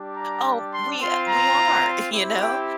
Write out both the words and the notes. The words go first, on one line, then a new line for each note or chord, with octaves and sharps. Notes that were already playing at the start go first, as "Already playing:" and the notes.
Oh, we a we are, you know?
Already playing: G3 D4 G4
A#5
C6
C4 F4 C6
A#5
C4 E4 G4
G5